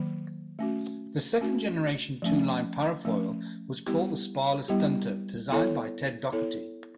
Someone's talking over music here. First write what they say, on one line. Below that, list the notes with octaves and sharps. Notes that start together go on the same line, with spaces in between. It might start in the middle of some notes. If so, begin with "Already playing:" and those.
The second-generation two-line parafoil was called the "Sparless Stunter", designed by Ted Dougherty.
Already playing: D#3 F#3 A#3
A3 C#4 F#4
A3 C#4 F#4
F3 A3 C#4
F3 A3 C#4
G3 B3 E4 G4
G3 B3 E4 G4
B3 E4 A4 C#5
B3 E4 A4 C#5